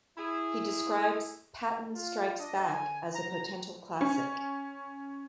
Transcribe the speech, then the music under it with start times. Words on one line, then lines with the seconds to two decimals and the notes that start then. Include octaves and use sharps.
He described "Patton Strikes Back" as "a potential classic".
0.18 E4 G#4
1.95 F4
2.38 D4 D#5
2.67 D3 G#5
3.15 F#3 A#5
4.01 C#4